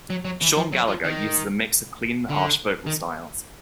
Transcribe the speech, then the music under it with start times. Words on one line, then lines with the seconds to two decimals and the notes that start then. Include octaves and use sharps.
Shawn Gallagher uses a mix of clean and harsh vocal styles.
0.10 F#3
0.25 F#3
0.42 E3
0.57 F3
0.72 F#3
0.87 F3
1.04 D#3
2.29 D3
2.87 D#3